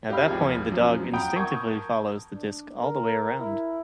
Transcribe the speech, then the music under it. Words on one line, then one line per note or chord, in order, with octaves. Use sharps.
At that point the dog instinctively follows the disc all the way around.
G4 D#5 F5 B5 F6
G#1 D#2 F3 G#4
F#2 F3 F#3
F#5 G5 A#5 B5 D#6 G6
A#4 A5 C#6 D#6 G6 G#6
D4
A#4
E4